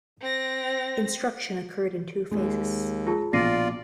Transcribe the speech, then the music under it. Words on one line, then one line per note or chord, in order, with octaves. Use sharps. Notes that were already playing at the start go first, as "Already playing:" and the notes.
Instruction occurred in two phases.
C4 A#6
D#2 G#3
F4 G#4 A5
A#1 B2 F4 D5 A#6 C7 D#7